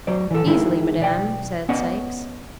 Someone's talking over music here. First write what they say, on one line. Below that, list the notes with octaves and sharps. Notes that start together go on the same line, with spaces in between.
"Easily, madam," said Sikes.
F#3 C5 D5
E3 A4
D#3 G#3 E4 G#4 A#4
B1 D5 G5
B3 C#4 D5 D#5 F#5